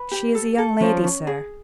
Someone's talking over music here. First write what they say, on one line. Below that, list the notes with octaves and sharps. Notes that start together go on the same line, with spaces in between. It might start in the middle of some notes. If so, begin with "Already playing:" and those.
"She is a young lady, sir."
Already playing: B4
G4
A4
A4
F3 C#4
C#4
G#4